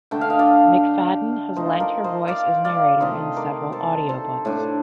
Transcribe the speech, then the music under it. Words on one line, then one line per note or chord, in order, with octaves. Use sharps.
McFadden has lent her voice as narrator in several audio books.
D3 A3 D4 G5
F5
D#5
D5 F5
F3 A3 D#4 C5 D#5
A#4 D5
C5 D#5
D5 F5
D5 F5
C3 D#3 A3 C5 D#5
A#4 D5
A4 C5
A4 C5
A2 A3 D4